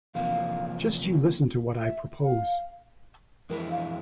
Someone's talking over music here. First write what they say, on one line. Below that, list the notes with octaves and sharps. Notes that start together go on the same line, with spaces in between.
Just you listen to what I propose.
E2 C3 F3 A#3 F5
E5
F5
F2 E3 G#3 E4 A#4
F5